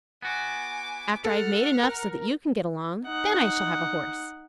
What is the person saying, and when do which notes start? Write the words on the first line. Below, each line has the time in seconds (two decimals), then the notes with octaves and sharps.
After I have made enough so that you can get along, then I shall have a horse.
0.22 B3 F#4 G#5 D6
1.25 A4 F#5 F6
1.83 A#4
3.05 D#4 F#5